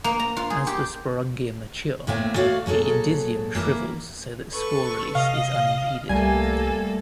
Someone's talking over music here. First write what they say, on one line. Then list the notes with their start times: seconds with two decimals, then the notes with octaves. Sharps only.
As the sporongia mature, the indusium shrivels so that spore release is unimpeded.
0.04 A#3
0.19 A#5
0.37 F4
0.50 G#4
0.67 G4
2.07 A2 A#3 C4 E5 G#5
2.36 A3 F#4 C#5 D5 F5
2.66 A#2 F#3 G#4 A4
3.55 E3 A#3 E4
4.51 A4 B4 C#6
5.15 C3 D#5 F5
6.09 C2 G3 A3 A#3 A4 G#5